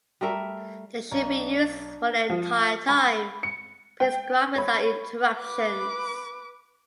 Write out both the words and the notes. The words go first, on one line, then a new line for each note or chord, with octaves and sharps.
They should be used for the entire time prescribed without interruptions.
G3 A3 A#4 E5
B1 D4 A#5
F3
B5
C#7
G5
C#5 B5
B4 D6